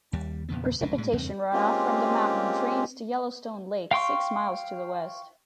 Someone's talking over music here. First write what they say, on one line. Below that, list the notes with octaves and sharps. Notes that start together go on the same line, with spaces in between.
Precipitation runoff from the mountain drains to Yellowstone Lake six miles to the west.
D#2 G3
E2 A#2 C#3 B3
F1 C#2 A2
A2 G#3
E2 G2 C#3 C4
G#3 A#3 C4 C#4 F4 G4
F5 G5 C6 C#6